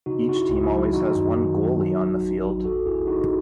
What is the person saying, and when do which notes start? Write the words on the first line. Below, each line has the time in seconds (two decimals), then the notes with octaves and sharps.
Each team always has one goalie on the field.
0.06 C#3 D#4 F#4
0.27 C#3 F#4
0.35 E4
0.49 C#2
0.64 E4
0.71 F#3
0.93 D#3 D#4 F#4
1.15 F#2
1.36 D#3
1.57 F#3
1.79 F#3
2.01 A1
2.22 A1
2.43 A1
2.64 D#2 F#4 A4
2.86 D#2 E4 G#4
3.07 D#2 D#4 F#4